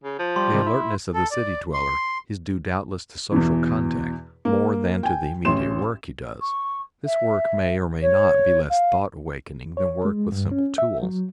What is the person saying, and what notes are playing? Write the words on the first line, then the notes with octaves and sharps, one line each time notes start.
The alertness of the city dweller is due doubtless to social contact more than to the immediate work he does. This work may or may not be less thought-awakening than work with simple tools.
C#3
F3
G3 C6
C3 D#3 G3
E4
A4
D5
C6
E2 B2 E3
A#3
G5 G#5
A1 C#4 C6 E7
C#6
E5
C#5
F5
C#5
G#3
G2
C#4
E5
F#3